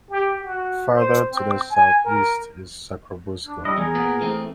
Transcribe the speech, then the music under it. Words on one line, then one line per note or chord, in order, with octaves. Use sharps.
Farther to the southeast is Sacrobosco.
G4
F#4
C5
C4
G#5
A#4
D4
G3 E4 D#5
E2 G#4 A#4
A#2 B3
E3 A3 C4